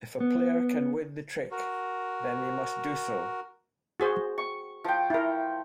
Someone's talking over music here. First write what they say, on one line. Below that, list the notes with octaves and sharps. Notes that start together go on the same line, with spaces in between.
If a player can win the trick then they must do so.
B3
F#4 A#4
F#4 G#4 C5
C#6
F3 G5
E4 A#4